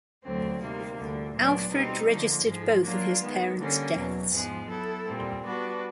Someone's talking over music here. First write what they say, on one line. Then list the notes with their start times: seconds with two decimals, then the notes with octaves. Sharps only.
Alfred registered both of his parents' deaths.
0.22 D2 D3 F#3 A3 C4
0.60 C3 D#3 G3 A#3
0.97 D2 D3 G3
1.34 A#2 F#3 B3 D4
1.71 B2 G3 C4 D#4
2.08 D3 F3 A#3
2.45 G#2 F3 G#3
2.83 F#3 A#3 D4 F4
3.20 D#3 G#3 B3
3.57 D3 G3 A#3 C#4
3.94 E2 B2 F#3
4.32 G#2 F3 G#3 B3
4.68 F#3 B3 E4 A4
5.06 A#2 G3 C4
5.43 G3 B3 D4 F#4 B4